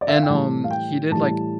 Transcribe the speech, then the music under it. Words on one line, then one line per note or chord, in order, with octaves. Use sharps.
And, um, he did like
D5
E5
F5
G5
A2 E3 G3 A5
F5
G5
A2 E3 G3 A5